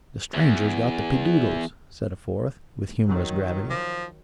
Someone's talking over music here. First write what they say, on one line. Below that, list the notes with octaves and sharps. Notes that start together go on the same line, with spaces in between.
"The stranger's got the peedoddles," said a fourth, with humorous gravity.
E2
D#3 F#3
F3